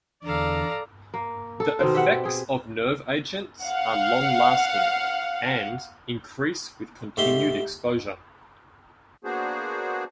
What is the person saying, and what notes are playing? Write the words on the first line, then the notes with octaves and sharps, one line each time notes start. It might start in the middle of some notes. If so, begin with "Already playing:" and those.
The effects of nerve agents are long lasting and increase with continued exposure.
E2 D3 A4 D5 F5 A#5
A#3
A4
B2 D#3 C4 C5
G4 E5 F#5
G#4 G5
F5 F#5
G#2 A3 G4 C6
A#3 B3 D4 F#4 G#4 C5